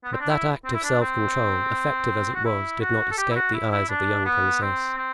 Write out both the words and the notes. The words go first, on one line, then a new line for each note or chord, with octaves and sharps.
But that act of self-control, effective as it was, did not escape the eyes of the young princess.
B3
C4
D4
E4
C4
E4
D4
C4
F#4
E4
F#4
A4
G4
E4
F#4
E4
E4
D4
B3
C4
C4